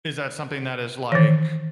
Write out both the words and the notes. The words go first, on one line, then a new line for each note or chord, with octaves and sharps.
is that something that is like,
D#3 E3